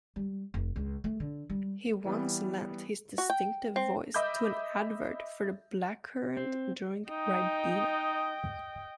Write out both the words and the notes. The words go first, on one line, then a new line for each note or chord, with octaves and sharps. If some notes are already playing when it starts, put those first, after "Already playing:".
He once lent his distinctive voice to an advert for the blackcurrant drink Ribena.
G3
F1
C#2
A3
D3
G3
E3 G3 B3
F#4
G5
C4
D#5 E5 B5 D6 G6
C4
D#4 D#5 G5